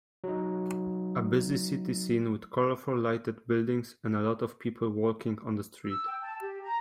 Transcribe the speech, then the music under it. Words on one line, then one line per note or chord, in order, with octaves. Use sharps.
A busy city scene with colorful lighted buildings and a lot of people walking on the street.
F#3 D#4
E6
G5
A5
G4
A#5